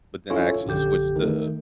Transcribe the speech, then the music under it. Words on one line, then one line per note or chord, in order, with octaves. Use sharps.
but then I actually switched to,
C#4 E4 F4 A4 C#5
A#1 F#2 D3 G4 G6
D#3 A3